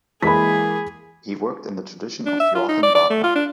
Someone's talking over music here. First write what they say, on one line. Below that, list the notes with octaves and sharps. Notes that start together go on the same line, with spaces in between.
He worked in the tradition of Joachim Wagner.
E3 G#3 A#3 G#4 B5 B6
D4
E5
F4
D#4
D5
D5
A3
F4
D4